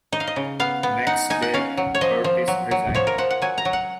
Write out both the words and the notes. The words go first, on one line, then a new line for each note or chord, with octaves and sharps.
The next day, Curtis resigned.
D#4 D#5
F5
D#5
C#3
B3 F5
B3
D#4 F#5
D#4 G#5
F#5
C#4 F5
F#3
C#5
F3 D#5
F3
F#3
F#3
F3 C#5
A#4
F3 F#5
F#5
F#3 G#5
A#5
F#3
F#5